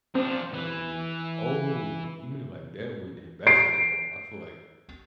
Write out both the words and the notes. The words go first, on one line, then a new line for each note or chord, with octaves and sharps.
Oh, yeah Oh! Even in, like, that would in basketball, I feel like,
F3 C4 D4
E3
C7 D7